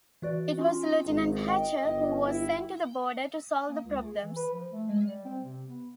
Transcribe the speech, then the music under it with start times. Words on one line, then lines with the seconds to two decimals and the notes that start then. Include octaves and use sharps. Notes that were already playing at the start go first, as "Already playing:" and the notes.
It was Lieutenant Hatcher who was sent to the border to solve the problems.
0.22 E3 F#4 D5
0.58 C#4 F4
1.06 G#1
1.48 D#5 G5
1.84 G1
2.24 E4
3.68 A#3
3.84 C#2
4.05 G#4
4.21 E3
4.36 B4
4.52 F3
4.72 A3
4.88 G#3
5.06 G3
5.25 C4
5.43 C3
5.67 B3